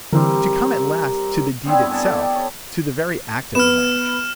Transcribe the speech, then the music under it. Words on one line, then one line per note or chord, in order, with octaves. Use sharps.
To come at last to the deed itself, to the very act of revenge.
D3 E3 G3 C4 E4 A#4
G3 B3 C4 E4
G2
G#4 F#5 A5 B5
A4 D5 F#5
G4
C#5
B3 F6 E7